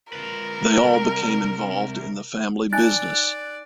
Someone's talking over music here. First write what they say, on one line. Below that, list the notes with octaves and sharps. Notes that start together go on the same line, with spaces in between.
They all became involved in the family business.
F4 A#4 B4
C2
D#4 D5 G#5 F#6 A6